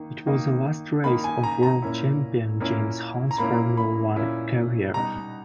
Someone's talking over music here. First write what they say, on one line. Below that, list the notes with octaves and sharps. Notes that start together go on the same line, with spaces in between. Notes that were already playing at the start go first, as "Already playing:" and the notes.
It was the last race of World Champion James Hunt's Formula One career.
Already playing: D#3 A#3 D#4
D#3 A#3 D#4
D#3 A#3 D#4 B5
G#5
A#5
A#5
A#2 A#3 C#4 E4
A#2 A#3 C#4 E4
A#5
A#2 A#3 C#4 E4 B5
B5
A#2 A#3 C#4 E4
B2 G3 B3 D#4 A#5